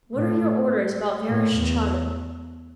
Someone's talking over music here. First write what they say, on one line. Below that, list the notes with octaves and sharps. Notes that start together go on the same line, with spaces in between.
What are your orders about Vereshchagin?
A2
A2
E2